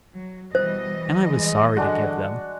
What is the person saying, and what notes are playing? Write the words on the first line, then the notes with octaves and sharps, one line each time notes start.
And I was sorry to give them.
F#3
B2 E3 G3 C5 D#5
G#3
D3 G#3 D4 F#4